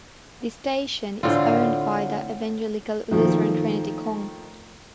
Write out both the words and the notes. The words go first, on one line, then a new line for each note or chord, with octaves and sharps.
The station is owned by The Evangelical Lutheran Trinity Cong.
A2 D3 C4 F4
D#3 F3 A3 A#3